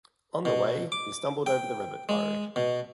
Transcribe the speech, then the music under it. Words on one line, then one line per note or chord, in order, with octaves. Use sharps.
On the way, he stumbled over the rabbit burrow.
B2
D6
G5
G#3
B2